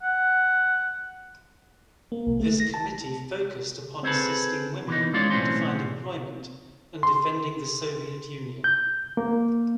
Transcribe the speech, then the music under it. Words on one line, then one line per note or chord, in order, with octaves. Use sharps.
This committee focused upon assisting women to find employment and defending the Soviet Union.
F#5
A#3
B1
A3
A#6
A5
C4 G#4 A4 B4
E3 B3 D#4
G#3 C#4 F4 C#5 D5
B1 A2 E3 C4 C#4 C6
C6
G6
A#3